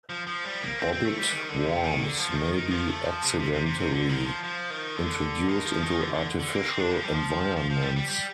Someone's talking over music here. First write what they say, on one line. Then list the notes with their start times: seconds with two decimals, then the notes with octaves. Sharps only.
Bobbit worms may be accidentally introduced into artificial environments.
0.09 F3
0.27 F3
0.45 G3
0.61 A#3
0.79 C4
0.92 C4
1.05 A3
1.18 G3
1.31 D#3
1.49 D3
1.66 C3
1.83 D#3
2.00 D3
2.18 F3
2.35 D#3
2.53 D#3
2.71 F3
2.88 A3
3.05 F3
3.22 C3
3.39 C3
3.53 C3
3.66 C3
3.78 C3
3.92 D3
4.09 D#3
4.27 F3
4.43 F3
4.70 D#3
4.96 D3
5.48 D#3
5.65 F3
5.83 D#3
6.00 D3
6.14 D3
6.40 D3
6.52 A#3
6.65 C4
6.79 D4
6.91 F3
7.03 G3
7.14 F3
7.57 F3
7.70 F3
7.82 G3
7.96 G3
8.09 G3